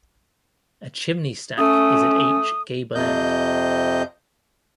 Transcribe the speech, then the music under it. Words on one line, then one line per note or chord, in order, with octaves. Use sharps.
A chimney stack is at each gable end.
A3 C#4 D#6
F2 C3 D#5 G6